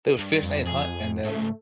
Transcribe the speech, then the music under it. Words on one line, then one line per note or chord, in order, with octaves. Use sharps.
they would fish and hunt and then
G2
F2
G#4
G#2 C#3 A3